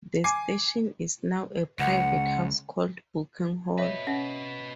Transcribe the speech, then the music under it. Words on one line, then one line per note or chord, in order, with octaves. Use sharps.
The station is now a private house called Booking Hall.
G#5 D6 C7
C#2 F#5
B4 C#5 D#5 E5
C#4 F#5